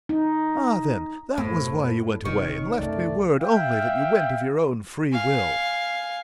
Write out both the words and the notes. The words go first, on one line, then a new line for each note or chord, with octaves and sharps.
Ah, then, that was why you went away, and left me word only that you went of your own free will.
D#4
F#2 A2 A3 B3 C5
F1 C3 D#3 C#4 C#6
C2 F#2 C#3 A3 D5
E5 F5 G5
F5 G#5